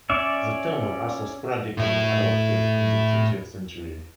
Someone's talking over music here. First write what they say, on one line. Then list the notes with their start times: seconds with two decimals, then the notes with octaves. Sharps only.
The term was also sporadically adopted in the twentieth century.
0.10 C#4 C#5 D5 E5
1.77 A2 E4